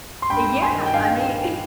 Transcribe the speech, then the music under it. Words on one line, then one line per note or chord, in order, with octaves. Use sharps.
Eh yeah. I mean,
C6
G2 G5 B5
G2
G#5 C6
D#3
G5
G2 F5 G#5